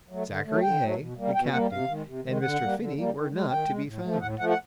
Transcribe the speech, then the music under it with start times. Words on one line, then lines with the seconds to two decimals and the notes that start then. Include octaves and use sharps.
Zachary Heigh, the Captain, and Mr. Finney were not to be found.
0.09 F#3 A3
0.27 D3
0.46 F#3 A3
0.62 D3 G5
0.81 F#3 A3
0.99 B2
1.17 G3 A#3
1.35 B2 G5
1.52 A#3 F#5
1.56 G3
1.70 C3 F5
1.88 D#3 G#3
2.06 C3
2.24 D#3 G#3
2.42 D3 F#5
2.61 G3 A#3
2.78 D3
2.96 G3 A#3
3.13 D#3
3.31 G#3
3.50 D#3 G5
3.67 G#3
3.86 A2
4.03 F3 A3
4.21 A2 F#5
4.39 F3 A3 F#5
4.50 F#5